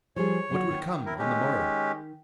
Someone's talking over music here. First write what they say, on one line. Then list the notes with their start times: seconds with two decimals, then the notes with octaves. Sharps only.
What would come on the morrow?
0.16 F3 G3 G#4 C#5
0.50 F#3 F4 F#4
0.71 D#3
1.06 E4 A#4
1.19 G#3 C#4 G4